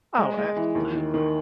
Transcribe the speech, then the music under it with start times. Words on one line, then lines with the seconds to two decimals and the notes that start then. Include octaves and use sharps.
Oh, absolutely.
0.18 G#3
0.37 G#3
0.56 E3
0.75 D#2
0.95 D#3
1.14 D#3